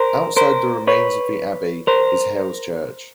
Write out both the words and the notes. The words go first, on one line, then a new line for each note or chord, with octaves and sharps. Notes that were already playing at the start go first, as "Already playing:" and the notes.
Outside the remains of the Abbey is Hailes Church.
Already playing: A#4 C5
A#4 C5
B4 C#5
A#4 C5